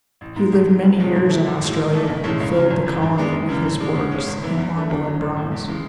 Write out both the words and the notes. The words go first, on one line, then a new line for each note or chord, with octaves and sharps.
He lived many years in Australia, and filled the colony with his works in marble and bronze.
A1
G#2 G#3
G#1
G#2 F#3
F#1
E2 B2 G#3 C#4
G#2
E3 A3 E4
A1
A2 G#3
G#2
E3 A3 D4
B1
A2 G#3 C#4
C#2
C#3 F#3
G#1
F#2 E3
G#2
G#3 B3 D4
F#1
F#2 C#3 E3
A2
G#3 D4
D2
C#3 G#3 C#4
G#1
G#2 E3 B3 E4
E2
D3 A3
E2
D3 F#3
A1
A2 E3
E2
C#3 E3 G#3